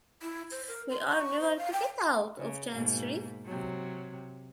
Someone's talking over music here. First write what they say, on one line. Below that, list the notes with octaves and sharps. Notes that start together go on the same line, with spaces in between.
We are never to get out of Chancery!
E4
C5
A#4
C6
C#6
C5
F5
G5
C#3
G#2 B2 A#3
C3 F#3